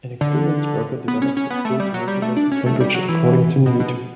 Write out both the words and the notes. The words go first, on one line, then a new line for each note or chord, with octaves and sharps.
An experienced worker develops the skill to regulate the temperature according to need.
D3
B3
C#4
C#4
B3
A3
G3
F#3
G3
A3
D4
C#4
A3
G3
F#3
E3
B2
B2